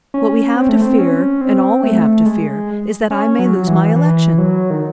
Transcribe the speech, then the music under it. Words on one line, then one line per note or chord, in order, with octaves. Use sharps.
What we have to fear and all we have to fear is that I may lose my election.
C#4
C4
A3
C4
C#4
C4
A3
G#3
C#4
F#3
E3
E3
F#3
D#3